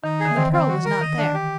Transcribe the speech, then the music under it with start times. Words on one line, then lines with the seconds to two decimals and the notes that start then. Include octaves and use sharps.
The pearl was not there.
0.04 D#3 D#4
0.20 D3 G#4
0.31 E3
0.36 D#3 C4
0.52 C4
0.68 F#4
0.85 A#4
1.02 D#3 D#5
1.18 D4
1.34 G4